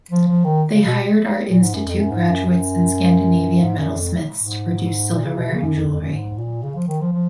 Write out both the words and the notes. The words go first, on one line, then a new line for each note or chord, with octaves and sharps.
They hired Art Institute graduates and Scandinavian metalsmiths to produce silverware and jewelry.
F3
F3
D#3
C#3
B2
A#2
G#2
F#2
F2
F#2
G#2
F#2
F#2
G#2
F#2
F2
G#2
A#2
C#3
B2
C#3
F#2
F2
F2
F#2
G#2
A#2
C#3
F3
D#3
F3
F3